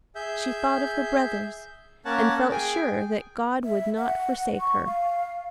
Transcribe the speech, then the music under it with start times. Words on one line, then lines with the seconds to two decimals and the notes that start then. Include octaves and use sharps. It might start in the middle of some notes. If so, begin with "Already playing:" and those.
She thought of her brothers, and felt sure that God would not forsake her.
0.15 G#4 E5 G6
2.05 A#3 C#4 A#4 C#5 F#5 A5
2.52 G#4 G5 G#5
3.64 E5
3.97 F#5
4.59 C#6
4.86 F5